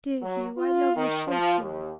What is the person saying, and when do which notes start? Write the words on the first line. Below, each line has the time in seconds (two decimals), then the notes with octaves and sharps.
"Dear Hugh, I love you so truly!"
0.22 F#3
0.57 F4
0.96 D#3
1.28 F3
1.59 D#2